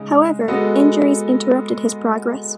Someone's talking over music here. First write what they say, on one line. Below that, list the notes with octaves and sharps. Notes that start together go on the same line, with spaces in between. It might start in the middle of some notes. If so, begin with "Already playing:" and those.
However, injuries interrupted his progress.
Already playing: C#3 G#3 D#4
G#3 B3 F#4 A4 D#5